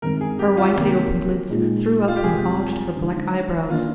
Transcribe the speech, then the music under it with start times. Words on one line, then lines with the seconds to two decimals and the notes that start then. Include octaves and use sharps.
Her widely opened lids threw up and arched her black eyebrows.
0.02 G2 D#3 G#3 C4 A#4
0.21 G#4
0.39 G4
0.57 F4
0.76 C3 D#3 A#3 G4
1.50 A#2 G#3 D#4
2.08 F4
2.16 G4
2.23 F2 C3 F3 G#3 G#4
2.97 D3 G#3 D#4
3.70 D#3 A#3 D4 F4